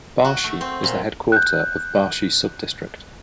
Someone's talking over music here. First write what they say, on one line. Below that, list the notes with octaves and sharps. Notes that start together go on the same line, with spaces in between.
Barshi is the headquarter of Barshi subdistrict.
F#4
A3
C4
A#2
F#6 G6